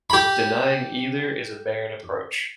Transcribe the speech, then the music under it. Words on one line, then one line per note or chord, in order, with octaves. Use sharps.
Denying either is a barren approach.
G4 B5